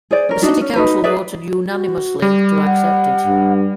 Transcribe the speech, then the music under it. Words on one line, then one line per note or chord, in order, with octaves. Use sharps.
The city council voted unanimously to accept it.
G#4 C5 D5
C#4 A#4
D4 D#4 F#4
C#4
D#4 F#4 B4
G#4 B4 D5 E5
F#4
G3 G4
F#5
G2